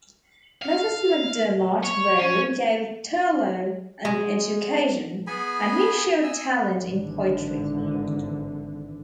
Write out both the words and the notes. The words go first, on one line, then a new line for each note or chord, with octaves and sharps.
Mrs. MacDermott Roe gave Turlough an education, and he showed talent in poetry.
F5
C#5
C#4
G#3
B3 G#4 G#5 B5
D#5 G#5 E6
G#1 D3 E3